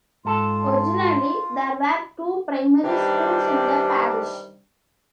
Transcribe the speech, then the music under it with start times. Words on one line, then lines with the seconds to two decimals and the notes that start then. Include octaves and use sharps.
Originally, there were two primary schools in the parish.
0.25 G#2 F4 A4 A5
2.84 C3 D#3 E3 G3 D4 G4